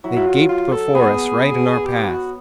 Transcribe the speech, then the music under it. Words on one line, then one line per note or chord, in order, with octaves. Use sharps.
They gaped before us right in our path.
F#3 E4
E4
F4
F4
A4
B3 G#4
G4
F#4